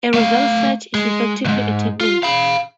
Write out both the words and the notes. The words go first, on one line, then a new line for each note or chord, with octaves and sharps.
A result set is effectively a table.
A3 F5
G#3
C#2 G#2
F4
F5 B5